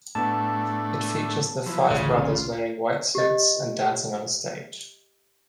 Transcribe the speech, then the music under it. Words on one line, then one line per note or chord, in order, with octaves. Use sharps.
It features the five brothers wearing white suits and dancing on a stage.
A2 A3 B3 D4 A5
F3 F#3 E4
A1 D2 C#3 F4
G4 D#5